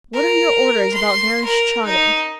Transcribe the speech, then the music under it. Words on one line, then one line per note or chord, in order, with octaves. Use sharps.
What are your orders about Vereshchagin?
A#4
C6
A#4
D#4